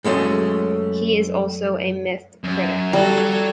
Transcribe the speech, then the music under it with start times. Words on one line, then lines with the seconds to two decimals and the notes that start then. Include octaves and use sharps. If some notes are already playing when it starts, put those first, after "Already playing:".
He is also a myth critic.
0.04 F#2 G#3 A3 C#4
2.44 F#2
2.93 G3 F#4 A4 C#5 A#5